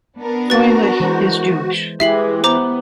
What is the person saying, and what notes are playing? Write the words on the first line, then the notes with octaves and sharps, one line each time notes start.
Freundlich is Jewish.
B3 D4 A#4
F#4 B4 A6
E3 G#3 C5
E3 G#3 E4 G4 E5 C7 F#7
B3 C5 A#5 D6